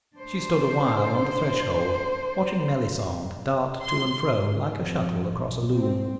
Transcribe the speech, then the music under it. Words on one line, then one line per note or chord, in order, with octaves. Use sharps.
She stood awhile on the threshold, watching Melisande dart to and fro like a shuttle across a loom.
D4 C5
C6
G#2
F2
B1
C4